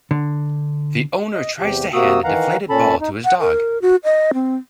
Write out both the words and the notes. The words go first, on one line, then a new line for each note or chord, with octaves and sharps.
The owner tries to hand a deflated ball to his dog.
D3
D#5
E2 C3 G4
C3 A#3 F#4 D#6 E6
D#3 E3 F5 F#5 A#5
A#2 C#4 A4 A5 B5
D#4
F#5
A#4
F#4
D#5
C4